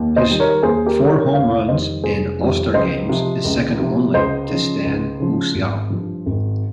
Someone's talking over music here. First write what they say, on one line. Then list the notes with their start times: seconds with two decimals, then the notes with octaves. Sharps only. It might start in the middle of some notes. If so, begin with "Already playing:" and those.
His four home runs in All-Star games is second only to Stan Musial.
Already playing: D#2
0.16 C5 D#5
0.29 D#3 G3
0.40 A#4 C#5
0.63 D#2 G#4 C5
0.86 G4 A#4
0.99 D#3 G3
1.10 A#4 C#5
1.33 F1 C#5 F5
1.68 F2 D#3 G3 C5 D#5
2.04 F1 G#4 C5
2.39 F2 D#3 G3
2.74 C#2 C5 D#5
3.09 C3 F3
3.44 C#2
3.79 C3 F3
4.14 C#2 C5 D#5
4.50 C#3 F3
4.85 C#2
5.20 C#3 F3
5.55 G#1
5.90 G2 F3
6.26 G#1